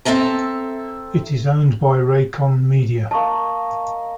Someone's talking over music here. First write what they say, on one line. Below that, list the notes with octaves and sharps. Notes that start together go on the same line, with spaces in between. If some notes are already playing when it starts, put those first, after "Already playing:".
It is owned by Raycom Media.
C4 A4 E5 A5 A#5
A#3 D#5 A5 C#6